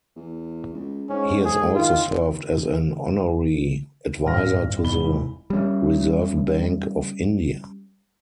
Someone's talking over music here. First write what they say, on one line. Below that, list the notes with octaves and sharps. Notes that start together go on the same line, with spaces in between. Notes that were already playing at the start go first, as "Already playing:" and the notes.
He has also served as an honorary advisor to the Reserve Bank of India.
E2
C#2
G#2 C#4
G#4
D#3 F4
D1 G2 F5 F6 A#6
F1 G#2 E3 B5 G7
G3 C#4